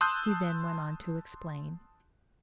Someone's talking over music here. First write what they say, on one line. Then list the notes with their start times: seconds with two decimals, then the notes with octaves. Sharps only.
He then went on to explain.
0.01 A5 C6 D#6 E6 F#6 G6